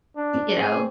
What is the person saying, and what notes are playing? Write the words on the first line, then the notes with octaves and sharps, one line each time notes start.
you know,
D4
C4 G#4